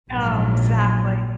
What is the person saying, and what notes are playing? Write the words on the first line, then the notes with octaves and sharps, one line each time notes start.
Oh, exactly.
A#1 G#2 F#3